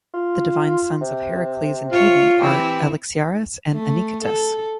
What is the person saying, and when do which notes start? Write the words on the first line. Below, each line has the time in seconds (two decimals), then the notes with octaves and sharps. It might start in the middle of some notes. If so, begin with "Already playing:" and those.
The divine sons of Heracles and Hebe are Alexiares and Anicetus.
0.14 F4
1.01 C3
1.92 F4 C#5
2.40 E3 C4 E4 G4
3.72 A3
4.25 A4